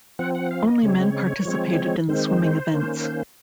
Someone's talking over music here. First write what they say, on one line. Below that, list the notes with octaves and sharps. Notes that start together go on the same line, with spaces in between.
Only men participated in the swimming events.
F3 C4 F#5
F#5
F5
D#5
C#3 G#3 C4 C#5
F3 G#3 C4
D#3 G#3 C4 C5
D#3 A#3 C#4